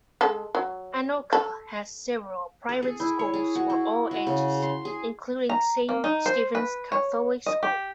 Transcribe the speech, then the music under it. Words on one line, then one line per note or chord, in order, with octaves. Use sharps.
Anoka has several private schools for all ages, including St. Stephens Catholic School.
G#3 A4
F#3
A4
A4
G#4
E4
C#5
G#4
F#4
E4
F#4
C#3
C6
G#4
A#5
A#3
D#4
C5
B4
C#5
D#5
G4